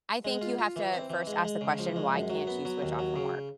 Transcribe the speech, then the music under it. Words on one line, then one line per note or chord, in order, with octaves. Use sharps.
I think you have to first ask the question, "Why can't you switch off from work?"
G#3
F4
F4
E3
C4
E3
G#3
G#3
C#3
F3
G#3
F#2
F#3
B3
F#3
D#2
F#3
C#3